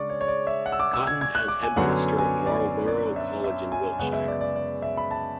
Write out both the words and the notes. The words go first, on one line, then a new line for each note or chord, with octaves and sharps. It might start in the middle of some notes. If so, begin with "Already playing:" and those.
Cotton as Headmaster of Marlborough College in Wiltshire.
Already playing: C#3 G#3 D4 D5 C#6
C#5
C#5
D5
E5
F#5
E6
D6
E6
G#6
G#6
F#6
D6
G#5
F#2 D3 F#3 B3 F#5
G#5
G#5
D5
D5
D5
E5
E5
G#5
F#2 C#3 G#3 B3 F#5
E5
D5
D5
D5
E5
B5
A5